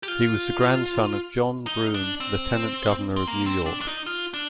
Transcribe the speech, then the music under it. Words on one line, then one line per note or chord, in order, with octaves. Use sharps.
He was the grandson of John Broome, Lieutenant Governor of New York.
G4
F4
D#4
D4
C4
C4
A#3
C4
D4
D4
D#4
F4
D4